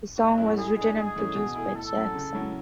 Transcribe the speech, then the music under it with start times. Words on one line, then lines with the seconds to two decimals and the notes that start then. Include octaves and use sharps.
The song was written and produced by Jackson.
0.18 G#2 F#4
0.38 F#3 A3 C#4 E4
0.57 A2 G#4
0.76 G#3 D4
0.96 G#2 G#4
1.16 E3 A3 C#4
1.35 B2
1.55 A3 E4
1.75 A2 A4
1.96 F#3 C#4 E4
2.14 C#3
2.34 F#3 C#4 E4